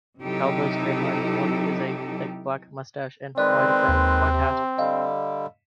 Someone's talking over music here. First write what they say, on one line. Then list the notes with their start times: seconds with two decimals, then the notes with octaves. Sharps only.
Calvo's trademark look is a thick black moustache and wide-brimmed white hat.
0.22 C3 F#3 D#4 E4 G4 A4
3.38 D#3 G#3 C4 B4 D5
3.89 D#2
4.32 C3
4.78 D3 G3 D#5 F5